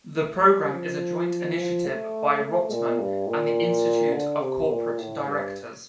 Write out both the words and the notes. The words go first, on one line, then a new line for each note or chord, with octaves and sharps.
The program is a joint initiative by Rotman and the Institute of Corporate Directors.
A3
G3
F3
F3
A3
A3
A#2
G2
A#2
D3
C3
A#2
A2
G2